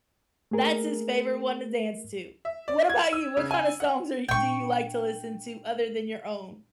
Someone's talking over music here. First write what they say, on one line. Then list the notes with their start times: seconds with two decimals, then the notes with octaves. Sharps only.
That's his favorite one to dance to. What about you? What kinda songs are y do you like to listen to, other than your own?
0.51 A3 A#3 G#4 A#4
2.45 E5
2.68 D5
2.89 G#6
3.13 E6
3.37 C#3
3.51 G#5
3.80 F#5
4.29 A#2 D4 G5 C#6